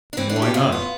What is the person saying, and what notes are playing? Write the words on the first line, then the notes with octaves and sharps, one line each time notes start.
And why not?
D4
E3 C4
D4
A2
G4
A2 F4
B3